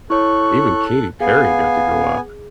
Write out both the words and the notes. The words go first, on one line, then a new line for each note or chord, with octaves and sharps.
Even Katy Perry got to go up,
E4 A4 C#5 C#6 F#6
B3 G#4 F5 G#5